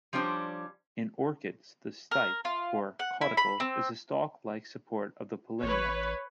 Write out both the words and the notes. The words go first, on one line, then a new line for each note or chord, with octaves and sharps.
In orchids, the stipe or caudicle is the stalk-like support of the pollinia.
F3 G3 C#4 D4 C5
A#4
F4
F#5
E4
B5
C4
A1 B4 C#5